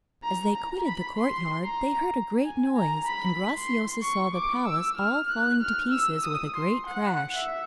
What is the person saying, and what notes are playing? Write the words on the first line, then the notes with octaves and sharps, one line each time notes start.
As they quitted the courtyard, they heard a great noise, and Graciosa saw the palace all falling to pieces with a great crash.
A#5
A#5
B5
C6
A#5
G#5
A#5
B5
C6
C#6
D6
E6
F6
F#6
F6
E6
D#6
C6
F#5
E5